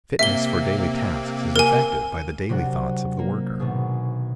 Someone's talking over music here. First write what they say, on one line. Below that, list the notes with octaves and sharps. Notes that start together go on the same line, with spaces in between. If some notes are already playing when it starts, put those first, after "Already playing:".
Fitness for daily tasks is affected by the daily thoughts of the worker.
C3 A#3 C4 E5 G7
A#4 G#5
C3 F#3 D4 F#5
A#3
G#1 B2 G#4